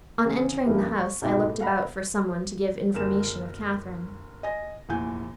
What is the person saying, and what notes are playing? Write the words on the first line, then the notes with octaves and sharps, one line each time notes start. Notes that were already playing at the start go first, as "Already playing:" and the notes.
On entering the house, I looked about for some one to give information of Catherine.
E2 C#3
C#2 G2 F3 A#3 E4 G4
C#6
C2 G#2 B2 E5 G5 D6
A2
F5 F#5 A#5 B5
F#1 D3 G#4 A#4 E7
D#5 G#5 A#6
F1 E2 A#2 E3 G#5 G6